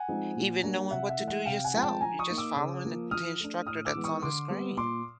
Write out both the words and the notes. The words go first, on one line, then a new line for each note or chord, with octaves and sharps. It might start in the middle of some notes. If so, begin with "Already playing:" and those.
even knowing what to do yourself. You're just following the t instructor that's on the screen.
Already playing: F#5 G#5
F3 G#3 C4 D#4
A#2
G3 A#3 D4
C3 E5 F#5
E5 F#5
E3 A3
E5 F#5
C3 F5 G5
F#5 G#5
F3 G#3 C4
G5 A5
F3 G#5 A#5
C#6 D#6
A#3 D#4
D6 E6
C#3
F3 A#3
F3 D#6 F6
A3 D4
A2 D#6 F6
D6 E6
E3 G#3 B3
C#6 D#6
D3 C6 D6
G3 B3
A#2 C6 D6